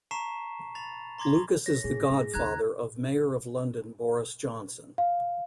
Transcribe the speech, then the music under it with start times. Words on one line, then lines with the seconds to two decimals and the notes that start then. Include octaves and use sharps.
Lucas is the godfather of Mayor of London Boris Johnson.
0.11 A5 A#5 C#6 B6 C7 E7
0.75 B5 A6 F7
1.18 A#5 C6 D6 G#6 A#6
1.66 C#5 A#6
1.84 A1 A#2 G#4
2.10 A2
2.34 D#2 C#3 A#5 F#6 G#6
4.98 F5